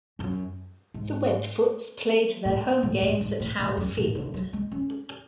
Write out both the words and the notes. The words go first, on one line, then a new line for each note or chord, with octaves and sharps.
The Webfoots played their home games at Howe Field.
F#2
G#2
A2
A2
A2
G#2
A2
A2
F#2
A2
D3
F#3
G#3
C#4